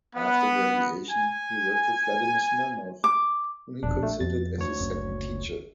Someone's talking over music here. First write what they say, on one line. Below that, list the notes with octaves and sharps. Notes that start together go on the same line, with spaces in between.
After graduation he worked with Vladimir Smirnov, whom he considered as his second teacher.
B3
G#5
D6
E1 A#1 D4
A3
F2 A6
D2 C#5
F#1